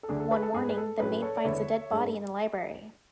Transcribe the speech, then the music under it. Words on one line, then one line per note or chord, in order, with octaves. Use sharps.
One morning, the maid finds a dead body in the library.
A4
D2 D3 A3 D4 G#4
A4
G#4 B4
A4
G#2 G#3 B3 G#4
B4
A4
A2 F#3 C#4 G#4 B4
A4 C#5
D5
E2 D3 G#3 B3 E4 C#5 E5
G#2 G#3 D4